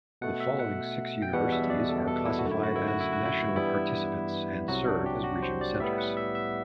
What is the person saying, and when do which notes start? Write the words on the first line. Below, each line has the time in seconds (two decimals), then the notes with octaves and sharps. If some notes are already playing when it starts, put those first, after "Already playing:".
The following six universities are classified as "national participants" and serve as regional centers.
0.21 B2 A3 F#5
0.40 E5
0.59 F#5
1.22 G5
1.33 E2 B2 G3 B3 F#5
1.52 E5
1.70 D5
1.89 A4
2.07 A4
2.26 E4
2.39 F#4
2.45 F#2 D3 A3
2.52 E4
2.63 F#4
2.76 E4
2.88 F#4
3.01 E4
3.13 F#4
3.26 E4
3.56 G2 E3 G3 B3 E4
4.68 C2 C3 F#3 F#4
4.87 D4
5.06 G4
5.24 F#4
5.43 C5
5.61 D5
5.80 A2 G3 B3 E5
5.98 F#5
6.17 E5
6.35 E5